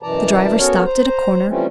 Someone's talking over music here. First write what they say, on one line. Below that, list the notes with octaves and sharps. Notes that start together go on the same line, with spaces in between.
The driver stopped at a corner.
F#2 B2 E3 D5 A5 A#5
B3 C#4 F#4 A4 A#4 C#5
C5 A#5
E3 F3 G3 A3 C4 C#4